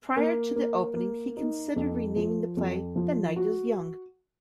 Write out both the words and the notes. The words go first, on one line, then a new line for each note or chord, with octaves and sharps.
Prior to the opening, he considered renaming the play "The Night is Young".
A#3
A#3
A#3
D#4
F2
F3
F2
F3
F#4